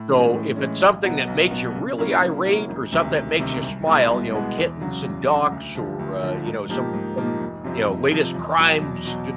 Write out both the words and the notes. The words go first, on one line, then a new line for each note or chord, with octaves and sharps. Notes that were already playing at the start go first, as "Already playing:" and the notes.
So if it's something that makes you really irate or something that makes you smile, you know, kittens and ducks or, uh, you know, some some, you know, latest crimes,
Already playing: A2
E3 G#3 C#4
A2
E3 G#3 C#4
B1
B2 F#3 B3
B1
B2 F#3 B3
C#3
F#3 A#3 C#4 E4
C#3
F#3 A#3 C#4 E4
E1
D2 C3 D#3
E1
D2 C3 D#3
C2
B2 G#3 B3 E4
C2
B2 G#3 B3 E4
E2
C#3 F#3
E2
C#3 F#3
D2
D3 F3
D2
D3 F3
G#2
F3 A#3 D#4 G4
G#2
F3 A#3 D#4 G4
F1
F2 C3 F3
F1
F2 C3 F3
E2
B2 F#3
E2
B2 F#3